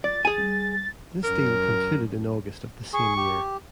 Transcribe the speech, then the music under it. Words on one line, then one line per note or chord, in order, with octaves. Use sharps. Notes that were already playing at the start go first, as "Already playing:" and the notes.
This deal concluded in August of the same year.
F3 D5 A6
E3 G#4 G#5
G3
F#2 A#4
G#4 C#6
G4